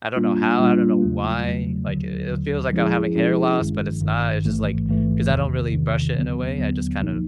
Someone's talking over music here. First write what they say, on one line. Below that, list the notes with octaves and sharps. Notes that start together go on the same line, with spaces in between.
I don't know how, I don't know why, like i it feels like I'm having hair loss, but it's not, it's just, like 'cause I don't really brush it in a way, I just, kind of
A#2 G3 A#3 D4 F4
A#2 G3 A#3 D4 F4
E2 C#3 F#3 A3
E2 C#3 F#3 A3
D#2 D3 F#3
D#2 D3 F#3
F3 G#3 C#4 E4 G#4
F3 G#3 C#4 E4 G#4
G1 G2 D#3
G1 G2 D#3
A1 G#2 E3 A3
A1 G#2 E3 A3
E2 C3 D#3
E2 C3 D#3
D#2 D3 F#3 B3
D#2 D3 F#3 B3
C2 A#2 F3 A#3 D#4